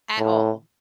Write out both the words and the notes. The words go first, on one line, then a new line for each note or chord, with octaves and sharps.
at all.
A2